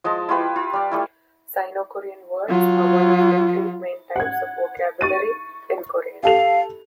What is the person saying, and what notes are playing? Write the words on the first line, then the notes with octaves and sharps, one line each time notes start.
Sino-Korean words are one of the three main types of vocabulary in Korean.
F3 G#3 D#5 A5
E4 F4 G4 B4
F4
G3 D5
G3 A3 E4
F#3 F4
F#5 G#6
C#6 A6 D#7
G4 A4 F5 F7